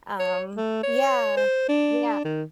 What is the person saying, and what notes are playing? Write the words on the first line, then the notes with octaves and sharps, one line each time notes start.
um Yeah. Yeah.
C#5
A3
C#5
C5
D4
D#3